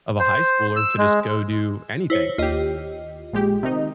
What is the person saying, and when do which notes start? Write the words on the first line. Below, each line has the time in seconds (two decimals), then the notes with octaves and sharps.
of a high schooler to just go do anything,
0.20 C5
0.76 E6
0.98 G#3
2.10 E4 C5 C#5
2.38 D#2 F4 G4 D#5
3.33 A#1 G#3 G4
3.63 C3 D#3 D#4